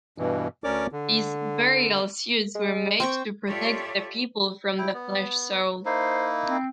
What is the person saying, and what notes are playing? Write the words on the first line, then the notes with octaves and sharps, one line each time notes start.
These burial suits were made to protect the people from the flesh-soul.
G2 B2 E3
D2 C#4 A#4 C#5 D5 D6
D3
G#3
C4 G5 C#6
F4 G4 A4 C#5 D5 E5
E4 G5
B3
A#3 D#4 E4 C5
C4